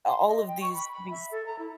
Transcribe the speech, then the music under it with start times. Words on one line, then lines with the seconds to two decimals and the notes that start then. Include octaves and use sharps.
a all of these these
0.06 C6
0.27 D#5
0.47 G5
0.61 C#6
0.74 B5
0.92 B5
1.11 E5
1.31 A4
1.46 A#5
1.59 E4